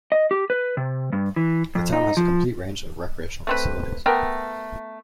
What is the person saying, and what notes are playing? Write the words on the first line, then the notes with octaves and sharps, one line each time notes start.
The town has a complete range of recreational facilities.
D#5
G4
B4
C3
G2
E3
F2
D#4
F3
A3 C4 B4
A3 B3 A#4 G5